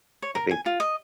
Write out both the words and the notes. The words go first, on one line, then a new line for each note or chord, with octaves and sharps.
I think,
C#5
A#4
G#5
F4
D#5